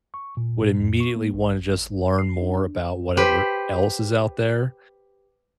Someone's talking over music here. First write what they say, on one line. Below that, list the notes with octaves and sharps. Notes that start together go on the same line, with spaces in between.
would immediately wanna just learn more about whatever else is out there.
C#6
A#2
F2
C#6
A#3
A1
G#1
C7
D4
G4 B4 C5